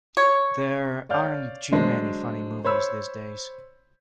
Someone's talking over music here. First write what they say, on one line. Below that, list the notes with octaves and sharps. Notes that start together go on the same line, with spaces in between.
There aren't too many funny movies these days.
C#5
C#5 D5 F5 F6 G6
D3 F#3 G#3 D4 C5
C5 C#5 B5 E6